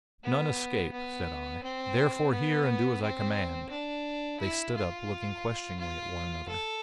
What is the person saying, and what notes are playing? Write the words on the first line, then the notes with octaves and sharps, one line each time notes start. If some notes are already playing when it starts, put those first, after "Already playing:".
"None escape," said I. "Therefore hear and do as I command." They stood up, looking questioningly at one another.
B3
B3
C4
B3
C4
D4
E4
F4
F4
A4